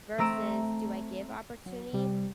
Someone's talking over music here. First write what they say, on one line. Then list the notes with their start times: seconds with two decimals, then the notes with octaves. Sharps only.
versus do I give opportunity,
0.18 A3 C4 A#5 E6 D7 E7
1.66 F#3
1.93 C3 G3